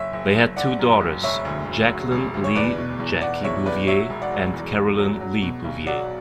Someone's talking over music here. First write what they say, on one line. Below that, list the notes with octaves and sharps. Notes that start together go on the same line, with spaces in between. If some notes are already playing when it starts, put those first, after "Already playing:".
They had two daughters, Jacqueline Lee "Jackie" Bouvier and Caroline Lee Bouvier.
Already playing: F#1 C#5 E5
F#1
F#1
F#1 D5 F#5
F#2
F#1
E1 C#5 E5
D2
D2
F#3
E1
D2
C#5
E2 B4 D5
B2
E2
B2 D5 F#5
E2 C#5 E5
E2 B4 D5
F#3 C#5 E5
E1
D5 F#5
F#3
E2
E1
F#3
F#3
B2
B1
F#3 D5 F#5